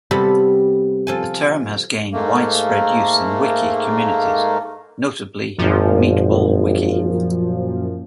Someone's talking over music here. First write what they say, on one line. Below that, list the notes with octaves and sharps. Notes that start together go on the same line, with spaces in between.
The term has gained widespread use in wiki communities, notably MeatballWiki.
C3 G3 B3 A4 B5
F3 A4 G#5
G#2 A3 A#3
G#1 F#2 A#2 F3